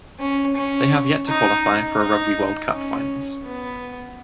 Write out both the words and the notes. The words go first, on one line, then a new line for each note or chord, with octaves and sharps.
They have yet to qualify for a Rugby World Cup finals.
C#4
C#4
D#4
D#4
C#4
B3